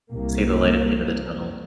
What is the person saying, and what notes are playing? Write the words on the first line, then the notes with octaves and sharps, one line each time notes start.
See the light at the end of the tunnel.
C2 A#3